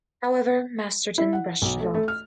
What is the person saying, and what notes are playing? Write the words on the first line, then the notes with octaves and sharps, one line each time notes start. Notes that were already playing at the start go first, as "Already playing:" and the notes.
However, Masterton brushed it off.
E4
F#5
B1
A3
A3
F6